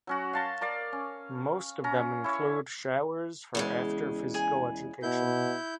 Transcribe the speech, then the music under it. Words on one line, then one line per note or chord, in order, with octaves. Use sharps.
Most of them include showers for after Physical Education.
F#3 C#4 F#4
F5 A5 C6
A#4 D5 F5
C#4
C#4 A#5
E4 C#5
E2 C#3 G#3
G#4 G#5
B2 E4 G6